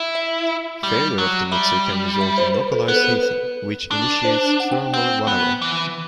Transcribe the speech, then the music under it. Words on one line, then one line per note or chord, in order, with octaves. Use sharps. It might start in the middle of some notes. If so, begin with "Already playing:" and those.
Failure of the mixer can result in localized heating, which initiates thermal runaway.
Already playing: E4
E5
G3
F#3
G3 E5
E5
C5
B4
A4
B3 A4
B4
A4
B4
D4
C5
F#5
G5
C4 F#5
B3
E3